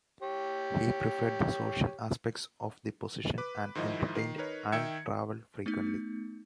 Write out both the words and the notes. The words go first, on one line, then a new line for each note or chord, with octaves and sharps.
He preferred the social aspects of the position and entertained and travelled frequently.
G4 C#5
B4 D6
G#2 D#3 F3 E4 D#5
D#3 C7
D#4 A#4 B4 C#5
D#3 E5 G5 E6 G#6 C#7
A3 B3 D#4